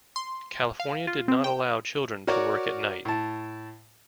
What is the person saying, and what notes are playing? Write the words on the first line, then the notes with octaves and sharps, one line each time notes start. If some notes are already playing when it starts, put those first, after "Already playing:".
California did not allow children to work at night.
C6
F5
F4
C4
G5
F#4 A#4 C#5 D5
A2 A5